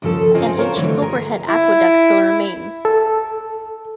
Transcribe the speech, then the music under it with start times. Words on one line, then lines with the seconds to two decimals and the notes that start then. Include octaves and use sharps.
An ancient overhead aqueduct still remains.
0.02 D#2 C#3 F3 A4 A5
0.34 G#2 C#3 C4 F4 D#5 G#5
0.58 F4 A#4 C5 C#5 F5 A#5
0.76 D3 E3 F#3 A3 C4
1.02 G#4 A#4
1.48 E4
2.85 A4